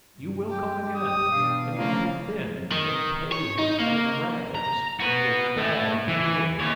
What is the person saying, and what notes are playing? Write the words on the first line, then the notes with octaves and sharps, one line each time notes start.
You will come again, and you will be thin and pale and in rags, and you will fall at the door.
G2
G4
D#6
B2 E3 D4 F5
C#3 F3 A3 A#3
D#3
C#5
D#4
A#3
A#5
F#4 B4
A3 E4
E3
D#2 C#5